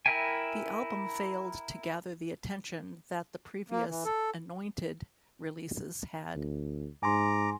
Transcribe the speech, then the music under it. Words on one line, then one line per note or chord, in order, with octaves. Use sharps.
The album failed to gather the attention that the previous Anointed releases had.
E4 A#4 E5 G5 G#5
A#3
E3
A4
D2
G#2 G#5 A#5 C6 D6